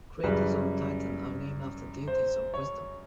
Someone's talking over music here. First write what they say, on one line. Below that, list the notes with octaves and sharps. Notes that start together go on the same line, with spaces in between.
Craters on Titan are named after deities of wisdom.
F#2 C#3 E3 G3 B4
C5
C#5